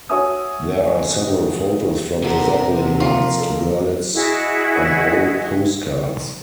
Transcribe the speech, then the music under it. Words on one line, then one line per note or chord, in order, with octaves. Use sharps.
There are several photos from the Zeppelin rides to Görlitz on old postcards.
F#4 C#5 E5 G#5 D#6 E6
C3 B3 F#4 A4 A#4
F2 F4 A#4
A4
E4 F#4 G#4 D#5